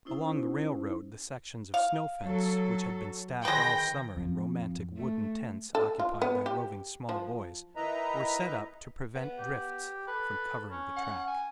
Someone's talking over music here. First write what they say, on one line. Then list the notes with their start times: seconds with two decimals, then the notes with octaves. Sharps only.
Along the railroad the sections of snow fence, which had been stacked all summer in romantic wooden tents occupied by roving small boys, were set up to prevent drifts from covering the track.
0.05 C#4 D#4 E4 C5
1.74 F5
2.23 F#3 A4
3.45 D#3 G#3 B4 G5 A#6
4.17 F2
4.97 A3
5.75 A4
6.00 F4
6.22 B3
6.46 G4
7.09 F3
7.76 D#3 E4 B4 D#5 E5 A#5
9.15 B3
9.39 G4
10.08 A4 B4
10.71 C#4
10.97 F#5
11.28 G#5